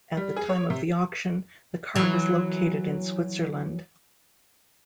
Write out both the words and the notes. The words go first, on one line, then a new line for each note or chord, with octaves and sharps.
At the time of the auction, the car was located in Switzerland.
G3
G#4
C#5
C3
E3 F#3